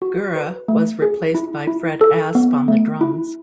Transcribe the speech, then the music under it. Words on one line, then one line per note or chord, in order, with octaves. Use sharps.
Gurra was replaced by Fred Asp on the drums.
F#4
B4
A3
G#4
E4
E4
A4
B3
A3
E4